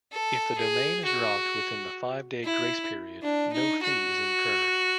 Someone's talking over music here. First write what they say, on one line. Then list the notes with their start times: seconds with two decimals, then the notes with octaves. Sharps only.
If the domain is dropped within the five-day grace period, no fee is incurred.
0.12 A4
0.58 G#4
1.05 F#4
2.45 E4
3.22 D4
3.53 D#4
3.84 F#4